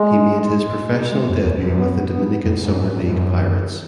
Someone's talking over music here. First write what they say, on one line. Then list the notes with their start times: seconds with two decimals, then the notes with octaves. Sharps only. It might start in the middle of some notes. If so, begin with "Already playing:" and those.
He made his professional debut with the Dominican Summer League Pirates.
Already playing: G#3
1.12 G#3
1.29 F#2
1.45 E2
1.62 F#2
1.79 B3
2.12 B3
2.45 F#2
2.63 G#2
2.79 F#2
2.96 E2
3.08 G#2
3.12 F#2